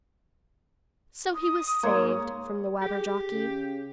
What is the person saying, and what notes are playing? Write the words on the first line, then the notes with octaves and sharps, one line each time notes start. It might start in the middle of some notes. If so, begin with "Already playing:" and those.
So he was saved from the Wabberjocky.
D#6
G#2 A#3 C#5 D#6
G4 G#4
C#3